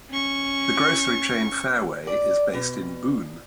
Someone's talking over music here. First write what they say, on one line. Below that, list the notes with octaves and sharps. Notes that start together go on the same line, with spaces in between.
The grocery chain Fareway is based in Boone.
C#4 C#6
D5
B2